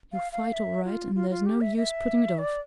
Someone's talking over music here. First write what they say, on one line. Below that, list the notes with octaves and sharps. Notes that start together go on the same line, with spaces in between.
He'll fight all right and there's no use puttin' it off.
F5
F5
E5
F4
F4
F4
G4
E5
E5
D5